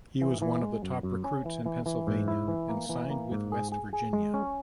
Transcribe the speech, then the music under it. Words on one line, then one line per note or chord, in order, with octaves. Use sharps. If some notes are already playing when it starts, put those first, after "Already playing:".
He was one of the top recruits in Pennsylvania and signed with West Virginia.
E3
E3
G#3
F#2
F#2
C#4
E3
E3
E3
G#2
E4
E3
A#3
E3
A#3
G#2
G#4
G#4
G#4
G#3
C#4